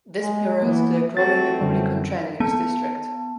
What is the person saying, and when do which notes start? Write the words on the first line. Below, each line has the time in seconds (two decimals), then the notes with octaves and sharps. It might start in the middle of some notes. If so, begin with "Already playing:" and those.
This mirrored the growing Republican trend in his district.
0.21 G#3
0.62 E3 A#3 B3 B4
1.17 A3 C4 F#4 A6
1.61 F#2 D3 G3
2.40 B3 A5